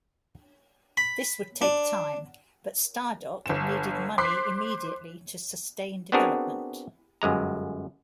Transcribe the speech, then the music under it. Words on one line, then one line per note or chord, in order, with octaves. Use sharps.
This would take time, but Stardock needed money immediately to sustain development.
B5
D4
G1 E7
C5 C6 D6 F#6 B6 C7
B3 C4 D4 F#4 G#4 A#4
G1 F#2 G#3 A#5